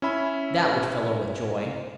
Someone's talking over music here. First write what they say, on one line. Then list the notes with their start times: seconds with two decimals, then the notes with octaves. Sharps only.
"That would fill her with joy."
0.02 C#4 E4 E5 B5